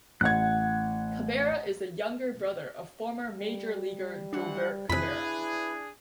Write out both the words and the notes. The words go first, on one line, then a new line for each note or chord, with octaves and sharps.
Cabrera is the younger brother of former major leaguer Jolbert Cabrera.
A1 F#5 F#6 G#6
G3
E3 D4 C5 F#5
F2 C3 D4 E4 G#4 B4 B5